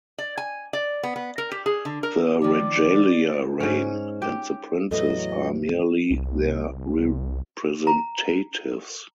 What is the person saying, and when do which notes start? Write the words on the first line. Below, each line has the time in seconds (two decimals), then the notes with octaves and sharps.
The regalia reign, and the princes are merely their representatives.
0.18 D5
0.37 G#5
0.73 D5
1.03 B3
1.16 B3
1.38 A#4
1.51 G4
1.66 G#4
1.85 D3
2.03 A#4
2.42 D#3 F3 D5 D6
3.60 G#2 C#4
4.22 G4
4.91 E2 A2 E3 F#3 A4 D#5
6.11 C2
7.87 A#5